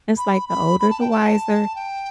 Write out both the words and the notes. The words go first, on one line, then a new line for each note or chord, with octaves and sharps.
It's like the older, the wiser,
B5
B5
B5
A5
G5
A5
G5